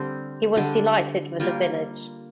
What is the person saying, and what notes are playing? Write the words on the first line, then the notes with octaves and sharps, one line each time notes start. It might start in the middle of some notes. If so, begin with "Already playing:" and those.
He was delighted with the village.
Already playing: D3 G3 C4
D3 G3 D4
G3 A#3 F4 A#4